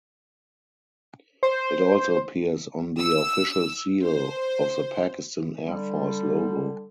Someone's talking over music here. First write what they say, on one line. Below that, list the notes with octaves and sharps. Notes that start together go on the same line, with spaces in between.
It also appears on the official seal of the Pakistan Air Force logo.
C5
E6
C5
D3 G3